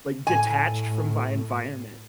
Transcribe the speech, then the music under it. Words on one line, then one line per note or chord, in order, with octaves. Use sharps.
like, detached from my environment.
A2 G#5